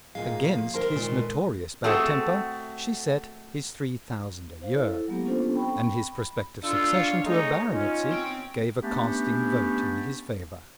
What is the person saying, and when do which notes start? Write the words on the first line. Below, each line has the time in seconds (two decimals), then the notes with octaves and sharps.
Against his notorious bad temper she set his three thousand a year, and his prospective succession to a baronetcy gave a casting vote in his favour.
0.15 D#2 A#2 G#3 A#3 F5
0.52 F3
0.74 D#3 A#4 C5 A5 C6
0.96 A#2 G#3
1.21 B4
1.84 A3 C4 F#4 G#4 A4
4.62 C5 F5
4.75 E4 A4
5.08 F#3 G#3 A#3 B3 G4
5.24 B3 C#4 D4 F4 A4 C5
5.54 C4 G5 B5 C#6
5.93 B5
6.64 A3 D4 F4 E6
6.94 C#5 F5
7.25 A3 D#4 G#4
7.70 C#4 D#4 F4
8.11 C4 G5
8.82 A3 B3 C#4 D4 G4